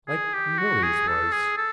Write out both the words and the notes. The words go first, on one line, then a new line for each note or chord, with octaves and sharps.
Like Milly's was.
G#4
G4
F#4
G#4
A4
G#4
A4